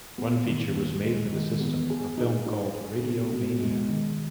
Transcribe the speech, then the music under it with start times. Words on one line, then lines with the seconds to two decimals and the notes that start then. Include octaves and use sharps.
One feature was made for the system, a film called "Radio-Mania".
0.18 B3
0.47 D#3
0.75 D#2
1.05 G#3
1.32 D#3
1.60 B3
1.90 G#4
2.18 D#4
2.46 D#4
2.74 G#4
3.03 B2
3.32 B2
3.60 G#3
3.89 D#3